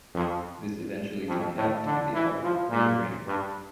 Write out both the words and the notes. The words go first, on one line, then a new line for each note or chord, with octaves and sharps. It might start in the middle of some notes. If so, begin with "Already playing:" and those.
This eventually turned out to be the album "Ring Ring".
F2
F2
A2
D3
E3
F3
A#2
G2